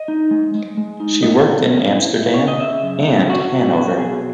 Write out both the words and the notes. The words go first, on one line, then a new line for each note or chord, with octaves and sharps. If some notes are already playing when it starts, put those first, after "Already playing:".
She worked in Amsterdam and Hannover.
Already playing: D#5
D#4
G#3
G#3
G#3
D#4
E4 D#5
F#3
C#4
E4
E4
C#3 C#5
D#5
C#3 E5
F#2
F#2
F#3 F#4
F#2
F#3
B2 G#4